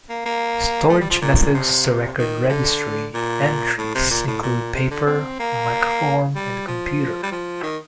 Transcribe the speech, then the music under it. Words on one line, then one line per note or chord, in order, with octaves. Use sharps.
Storage methods to record registry entries include paper, microform, and computer.
A#3
A#3
A3
G3
F3
A#2
C3
D#3
D3
A#2
A2
C3
A#2
A2
A#2
C3
D3
C4
A#3
G3
F3
G3
F3
D#3